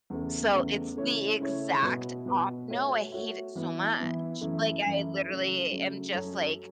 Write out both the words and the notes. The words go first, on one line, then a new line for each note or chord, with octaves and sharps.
So it's the exact op no, I hate it so much, like, I literally am just, like
E2 C#3 A3
E2 C#3 A3
C#3 A3 E4 C#5
C#3 A3 E4 C#5
B2 B3 F#4 B4
B2 B3 F#4 B4
A3 F#4 C#5 E5
A3 F#4 C#5 E5
E3 B3 E4
E3 B3 E4
F#2 E3 A3 E4
F#2 E3 A3 E4
C#3 F#3 A3
C#3 F#3 A3
F#2 F#3 C#4 A4